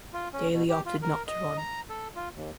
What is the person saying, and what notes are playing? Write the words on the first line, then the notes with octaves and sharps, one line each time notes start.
Daley opted not to run.
F4
C#4
B2
G4
F4
A#4
D#5
A#5
A4
F4
D#2